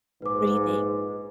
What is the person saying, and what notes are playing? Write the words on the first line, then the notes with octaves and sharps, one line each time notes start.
What do you think?
A#1 G#2 B4 D6